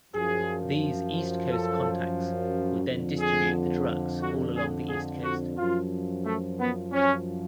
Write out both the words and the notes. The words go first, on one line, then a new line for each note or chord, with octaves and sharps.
These East Coast contacts would then distribute the drugs all along the East Coast.
F#2 F3 G#4
A4
F2 D3 F3
G#4
F#4
G#4
G#4
F#4
F#2 F3 F4
A3
B3
C#4